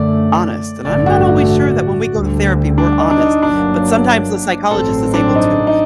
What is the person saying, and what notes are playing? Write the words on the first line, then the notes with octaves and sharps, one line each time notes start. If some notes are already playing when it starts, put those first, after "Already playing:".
honest, and I'm not always sure that when we go to therapy, we're honest, but, sometimes the psychologist is able to,
Already playing: F#2 D3 A3 D5
A1 G2 D3 A3 D5
F#4
D2 D3 G3
D4
D#4
D4
D#4
G1 G2 F#3 A#3 D4
A1 G2 F#3 C4 A4
D4
D#4
D#4